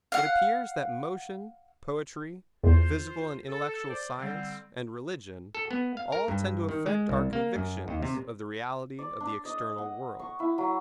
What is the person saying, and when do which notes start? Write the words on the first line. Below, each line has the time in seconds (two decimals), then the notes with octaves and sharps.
It appears that motion, poetry, physical and intellectual science, and religion, all tend to affect our convictions of the reality of the external world.
0.12 F5 F#5
2.64 E2 F4 C5
3.48 A4
3.88 C5 D5
4.17 D3 G3 C4
5.55 A4
5.71 B3
5.97 F5
6.12 A#4
6.28 G2
6.69 D#3
6.86 G#3
7.09 C2
7.33 A#3
7.56 F#2
7.88 D#2
8.03 C3
8.99 D5
9.20 D4
9.45 D#5
9.78 F#5
10.19 C#6
10.40 E4
10.58 F#3